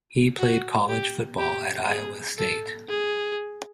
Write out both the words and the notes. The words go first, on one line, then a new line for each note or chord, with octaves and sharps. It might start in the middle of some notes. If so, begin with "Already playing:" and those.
He played college football at Iowa State.
F#4
G4
G4
G#4
A4
G#4